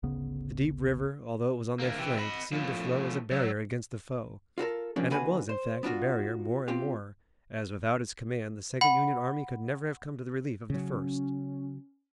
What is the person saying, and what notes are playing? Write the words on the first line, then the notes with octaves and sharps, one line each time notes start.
The deep river, although it was on their flank, seemed to flow as a barrier against the foe, and it was, in fact, a barrier more and more, as without its command the second Union army could never have come to the relief of the first.
G#1 D2 C#3 B3
D2 A#3
C3 E3
D#5 B5
A2 F3
F#3
F4 F#4 A4 A#4
F3 G3 A#3 C#4 D4
D#2 D3 F#4 B4 G#5
C5
B3 D4 F4 F#4
C4 F4 G4
F#5 B5
C#3 F#3 C#4